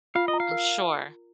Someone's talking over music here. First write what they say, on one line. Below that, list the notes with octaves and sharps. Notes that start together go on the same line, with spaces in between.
I'm sure.
F4 F5
D#5
A#5
F5
A#4